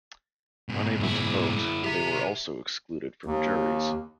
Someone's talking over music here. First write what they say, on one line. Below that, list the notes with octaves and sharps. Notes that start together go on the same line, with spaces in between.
Unable to vote, they were also excluded from juries.
G#2 B2
F#2 E4
G4 E5
D#2